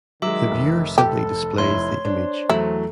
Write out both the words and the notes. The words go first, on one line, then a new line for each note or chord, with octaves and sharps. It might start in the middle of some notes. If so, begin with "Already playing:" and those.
The viewer simply displays the image.
D#3 F#3 G#3 E5 D6 E6
F1
G4 A4
F1 E4 C#5 C6
D4 C5
E2 F#3 A3 E4